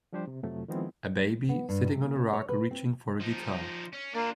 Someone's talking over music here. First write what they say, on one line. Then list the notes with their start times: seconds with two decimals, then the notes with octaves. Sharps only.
A baby sitting on a rug reaching for a guitar.
0.13 F3 G3 D4 G4 C5
0.27 C3
0.43 F2 C3 F3 F#3 A3
0.68 D#3 F3 G#3 B3 C4 E4
1.49 B3
1.69 G2
1.86 C3
2.01 A#3
2.15 C#4
2.33 C#5
2.49 B4
2.71 C4
3.21 F3 D#4
3.93 C#4
4.14 A#3 D4 F4